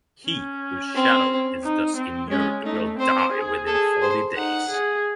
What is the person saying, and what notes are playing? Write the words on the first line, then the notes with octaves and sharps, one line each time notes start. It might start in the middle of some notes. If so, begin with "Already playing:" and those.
He whose shadow is thus immured will die within forty days.
C#4
C4
D#4
C4
G#3 C#4
A3 D#4
C4 C5
G#4
G#4 A4
C5
D#4 F#5
G#4